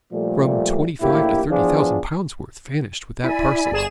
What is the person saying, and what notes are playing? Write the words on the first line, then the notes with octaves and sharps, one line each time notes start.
"From twenty-five to thirty thousand pounds' worth vanished with that parcel."
A#2 F3 G3 A3
A#1 A2 A#3 E4 G4
E3 F3 B3 D4 F4 G#4
E4 D5 G#5 B5
G1 G#4 E7